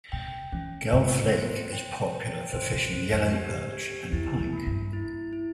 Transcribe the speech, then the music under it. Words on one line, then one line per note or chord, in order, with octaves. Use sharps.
Guelph Lake is popular for fishing yellow perch and pike.
C3 G5
E3 C#4
G#2 F4
C5
G5
G5
G2 C5
F2
F2 C5
F2
G4
G4
E2 E4
F2
A#3
G2
E4
E4